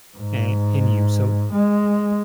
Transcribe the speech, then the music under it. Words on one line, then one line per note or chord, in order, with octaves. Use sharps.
eh, in you, so
G#2
G#3